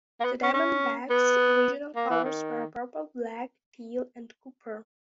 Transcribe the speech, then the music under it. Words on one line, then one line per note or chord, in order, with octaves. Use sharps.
The Diamondbacks' original colors were purple, black, teal and copper.
A#3
B3
C#4
C#4
B3
A#3
E3
D#3